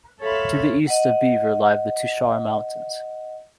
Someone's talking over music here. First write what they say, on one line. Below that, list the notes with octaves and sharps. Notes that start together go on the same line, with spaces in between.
To the east of Beaver lie the Tushar Mountains.
A4 C#5 E5 F5 B5 C6
D#5 F#5